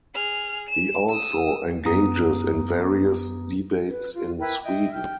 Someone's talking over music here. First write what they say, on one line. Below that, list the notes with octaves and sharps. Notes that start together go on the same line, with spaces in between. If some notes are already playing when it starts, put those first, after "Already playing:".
He also engages in various debates in Sweden.
G#4 F6
E7
D#6 E6
F#2 B3 A#5 D#6
B4
F4
E4 A#4 B4 G5
D#5 E5 G5
G5 F6